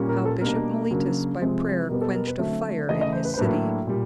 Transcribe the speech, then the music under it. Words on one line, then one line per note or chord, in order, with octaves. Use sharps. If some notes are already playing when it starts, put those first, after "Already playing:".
How Bishop Mellitus by prayer quenched a fire in his city.
Already playing: A#2 G3 A#3 C#4
A#4
A4
B2 G3 A#3 D4 A#4
C#3 F#3 A#3 D4
C3 F3 G#3 C4
B2 G3 B3 A#4
A4
A#4
B4
D3 F#3 A3 C4 E5
C#3 E3 A3 D#5
D#5
C5
B4
C5
A2 F#3 A#3 D4 B4
A#2 G3